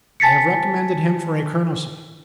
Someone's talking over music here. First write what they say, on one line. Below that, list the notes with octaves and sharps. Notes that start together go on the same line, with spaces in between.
I have recommended him for a colonelcy.
G#5 A5 A6 B6 C#7